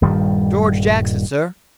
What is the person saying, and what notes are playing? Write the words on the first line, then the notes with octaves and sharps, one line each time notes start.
"George Jackson, sir."
D#1 G2 D#3 G3